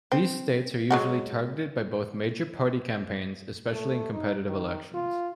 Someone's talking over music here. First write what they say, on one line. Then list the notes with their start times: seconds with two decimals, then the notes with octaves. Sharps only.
These states are usually targeted by both major-party campaigns, especially in competitive elections.
0.12 C4
0.91 F#3 G#3 F#4
3.73 A3
4.13 D#4
4.48 D#3
4.94 F4